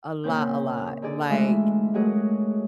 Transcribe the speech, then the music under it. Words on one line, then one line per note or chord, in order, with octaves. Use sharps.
A lot, a lot, like
A#2 C#3 C4 G6
D3 D#4 G#4 D5
E3 G#3 A3 F4 F#4 E5
F#3 G#3 A3 F#4 G#4 A#4